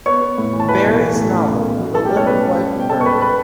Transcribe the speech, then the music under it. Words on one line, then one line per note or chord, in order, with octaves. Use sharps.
Barrie's novel "The Little White Bird".
B3 C#5 C#6
B3
A2
E3
A5
E3 B4 B5
B1
E3
A2
C#4
B1
B2
F#3
B1 A4 A5
G4 G5
C#4
C#5
B2 B4
C#4
G3
B2
G5
B2 A4 A5
C#6
B3 B4 B5
B3 B4 B5